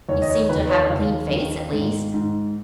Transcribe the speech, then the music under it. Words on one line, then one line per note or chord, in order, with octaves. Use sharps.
"You seem to have a clean face, at least."
D#2 C#5
D#5
C#5
D#2 B4
C#5
D#2 F5
D#3
G#2
G#2